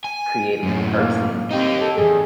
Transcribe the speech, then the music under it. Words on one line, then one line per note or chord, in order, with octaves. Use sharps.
creative person,
G#5
F#2 A2
A#3
C4 D#4 G4
A4
E2 G2 G#4